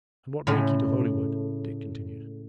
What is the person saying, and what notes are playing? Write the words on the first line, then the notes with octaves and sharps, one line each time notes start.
"And what make ye to Holywood?" Dick continued.
A2 C#3 G#3 A3